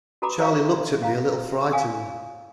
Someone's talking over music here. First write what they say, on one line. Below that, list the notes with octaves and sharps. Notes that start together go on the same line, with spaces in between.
Charley looked at me a little frightened.
F#4 A4 B4 A#5 B5 D6
E4 A4 A#4 C#5 F5 A#5
F5 A#5
F5 G#5 D#6